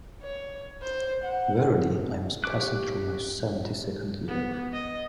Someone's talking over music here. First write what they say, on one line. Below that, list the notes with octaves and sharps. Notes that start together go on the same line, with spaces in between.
Verily I was passing through my seventy-second year.
C#5
C5
F#5
G4 C#6 D6 F#6
B3
D#5